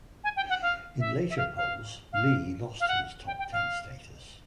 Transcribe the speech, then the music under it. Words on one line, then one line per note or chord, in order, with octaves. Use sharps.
In later polls, Lee lost his top ten status.
G#5
G5
F#5
F5
E5
E5
F5
F5
F5
F5
F#5
G5
G5
F5